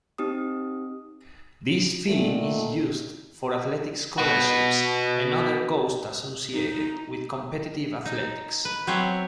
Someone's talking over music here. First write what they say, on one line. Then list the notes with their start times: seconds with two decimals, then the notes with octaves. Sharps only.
This fee is used for athletic scholarships and other costs associated with competitive athletics.
0.18 C4 D#4 G4 D#6
2.07 A#2 D3 D#3 A3
4.18 F#4 B4
6.54 D#4
8.06 D#4
8.65 B4
8.87 F#3 B3 C4 C5 C#5 E5